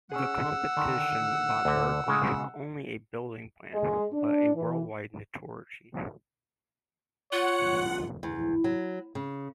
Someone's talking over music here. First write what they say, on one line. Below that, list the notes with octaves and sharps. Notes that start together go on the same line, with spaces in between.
The competition brought Berkeley not only a building plan but worldwide notoriety.
C#4 G#4 F#5 E6
D3 D#3 D4
D2 D3
C#3 G#3
G#3
D4
E3
F4 C#5 F#5
E2
F#3
C#3